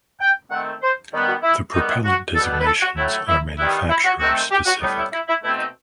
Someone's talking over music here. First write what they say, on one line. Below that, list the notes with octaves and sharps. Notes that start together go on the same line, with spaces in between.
The propellant designations are manufacturer specific.
G5
D#3 A3 C4 F#5
C5
D#3 G3 B3
F#4
E4
D#3 G3 B3 D#4
E4
F#4
B2 G3 B3 A4
A4
B4
A4
F#4
A2 F#3 A3 E4
E4
E4
D#3 G3 B3 E4
E4
F#4
D#3 A3 C4 F#4
G4
F#4
A2 G3 B3 D#4
E4
E4
E4
B2 A3 C4 E4
D#4